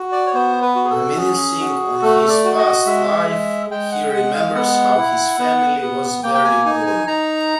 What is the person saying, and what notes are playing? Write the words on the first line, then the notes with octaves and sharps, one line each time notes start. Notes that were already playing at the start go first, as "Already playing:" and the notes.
Reminiscing on his past life, he remembers how his family was very poor.
Already playing: F#4
D5
C#5
B3 C5
B4
F#4
G#4
A4
C#4 G#4
F#4
A3 A4
D5
F#4
D#5
G#3 E5
G#3
G#3 G5
F#5
G5
G#3 F#5
F5
B3 F#5
E4
B3
B3
A#3 G5
G5
G#5
D#4 G#5
G#5
D#4 A#5